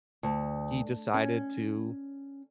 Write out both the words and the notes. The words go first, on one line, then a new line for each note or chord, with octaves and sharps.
he decided to
D2
C#4